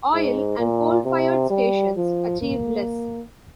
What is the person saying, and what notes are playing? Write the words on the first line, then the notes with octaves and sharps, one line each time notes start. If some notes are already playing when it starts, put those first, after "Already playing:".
Oil- and coal-fired stations achieve less.
G#2
A#2
C3
G3
F3
A#3